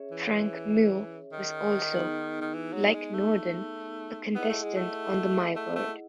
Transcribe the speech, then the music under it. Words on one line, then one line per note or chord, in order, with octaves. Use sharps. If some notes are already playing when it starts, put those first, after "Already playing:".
Frank Muir was also, like Norden, a contestant on the My Word!
Already playing: C#4 G#4 C#5 E5
E3
D#3
B3 D#4 G#4
D#3
E3
F#3
G#3
A3
B3 E4 G#4 D#5 F#5
A3
G#3
A3
A3
A3